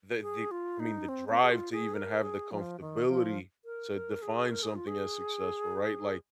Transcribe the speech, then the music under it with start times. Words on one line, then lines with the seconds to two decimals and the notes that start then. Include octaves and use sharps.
the the, I mean, the drive to even have the comfortability to define something as successful, right, like,
0.22 G#4
0.51 F4
0.80 D#4
1.09 C4
1.29 C4
1.41 G#4
1.51 F4
1.72 G#4
1.94 A#4
2.22 G#4
2.51 F3
2.80 D#3
3.08 F3
3.65 A#4
3.94 A#4
4.22 G#4
4.50 A#4
4.63 G#4
4.76 F4
4.87 G#4